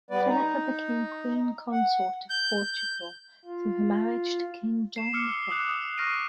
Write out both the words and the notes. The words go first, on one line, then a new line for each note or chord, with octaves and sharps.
Philippa became Queen consort of Portugal through her marriage to King John the First.
G3 B3 B4 D5
D#4
F#5
G6
F4
C7 E7
D6 E6 F6 C#7 G7
D#6 F6 G7
D6 D#6 F#6 F7
D#6
C#6 F6 A#6 C7 D7 D#7